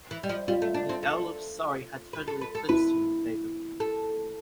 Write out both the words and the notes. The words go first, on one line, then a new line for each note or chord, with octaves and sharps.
The Earl of Surrey had totally eclipsed him in favor.
E3
G3
F3
G3 F4
A3
D4
C4
A4
B4
A4
B4
A4
E4 B4
A4